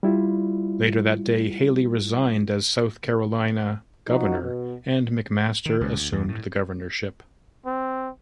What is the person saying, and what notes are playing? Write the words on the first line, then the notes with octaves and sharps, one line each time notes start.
Later that day, Haley resigned as South Carolina governor and McMaster assumed the governorship.
G3 E4 F4
F3 D#4 F#4
B2
D#3
C#2
D2
E2
A2
C4